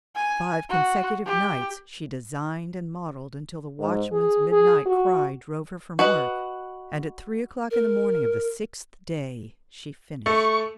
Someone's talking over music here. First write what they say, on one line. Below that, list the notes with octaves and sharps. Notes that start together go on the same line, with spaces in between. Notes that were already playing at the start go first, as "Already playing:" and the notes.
Five consecutive nights, she designed and modelled until the watchman's midnight cry drove her from work, and at three o'clock in the morning of the sixth day, she finished.
G#5
F#4
G4
G#2
G#4
G#4
F#4
F#4 B4 D#5
A#4
A3 C#6